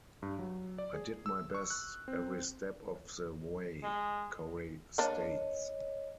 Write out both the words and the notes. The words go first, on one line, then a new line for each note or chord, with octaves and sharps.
I did my best every step of the way, Corey states.
G2
F#3
D5
G#4
E6
C#6
F#6
C4
G#3
A#3 D4 C#5 D#5